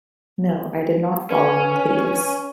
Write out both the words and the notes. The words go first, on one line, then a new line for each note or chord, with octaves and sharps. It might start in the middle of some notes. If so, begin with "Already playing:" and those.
No, I did not fall among thieves.
C#4 B4 G#5